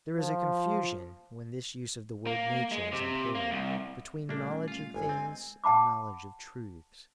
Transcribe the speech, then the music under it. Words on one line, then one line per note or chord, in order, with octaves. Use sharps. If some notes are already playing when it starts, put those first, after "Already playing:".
There is a confusion, when this use of the word 'nature' is employed, between knowledge of things and knowledge of truths.
F3
A#3
G#3
C3
A#3
C2
A#2 G3 A3 A#3 C#4 D4
F4 F5
G1 G#3 G#5
C4 A6
F#5 A5 B5 D6